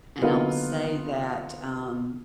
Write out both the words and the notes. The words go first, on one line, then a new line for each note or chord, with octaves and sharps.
And I will say that, um
D3 F#3 A#3 B3 D#4 F4